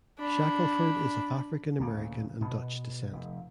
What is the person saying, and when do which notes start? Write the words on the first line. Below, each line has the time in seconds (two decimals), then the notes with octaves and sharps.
Shackelford is of African American and Dutch descent.
0.19 D4 B5
1.79 D2 A#2 C#3
2.41 B2 B3
3.13 F1